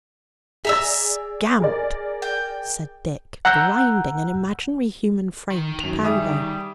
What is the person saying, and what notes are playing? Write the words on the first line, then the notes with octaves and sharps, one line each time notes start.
"A scamp!" said Dick, grinding an imaginary human frame to powder.
G#4 D5 E5 A#5 E6
G#4 A#4 D5
G5
F#5 A#5 E6 F#6 G6
D#3
F#2 F7
G3 G#4 E5 D#6